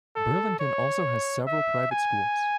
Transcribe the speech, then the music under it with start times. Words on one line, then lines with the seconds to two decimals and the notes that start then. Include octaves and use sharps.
Burlington also has several private schools.
0.16 A4
0.60 C#5
1.47 E5
1.91 G#5